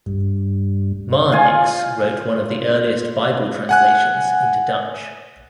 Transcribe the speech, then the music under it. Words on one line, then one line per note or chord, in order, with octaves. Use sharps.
Marnix wrote one of the earliest Bible translations into Dutch.
G2
F4 G#5
F#5 G#5 F#6